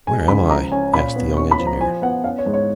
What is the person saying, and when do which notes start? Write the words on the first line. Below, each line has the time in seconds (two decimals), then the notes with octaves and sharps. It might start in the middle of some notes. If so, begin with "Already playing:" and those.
"Where am I?" asked the young engineer.
0.07 G#3 G#5
0.28 C#2 B5
0.50 F3 A#5
0.72 C#4 G#5
0.94 A#2 B5
1.16 B3
1.37 C#4 C#6
1.51 B5
1.59 F3
1.67 A#5
1.81 F3 G#5
2.02 B3 F#5
2.24 C#4 F5
2.39 C#5
2.46 G#2
2.54 C#5